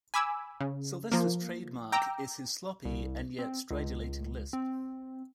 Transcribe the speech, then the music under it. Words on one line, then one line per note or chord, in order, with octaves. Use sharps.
Sylvester's trademark is his sloppy and yet stridulating lisp.
G#5 B5 D6 E6
C#3
F3 A#3
G5 A#5 D6 E6
C2
C4
C#2
C4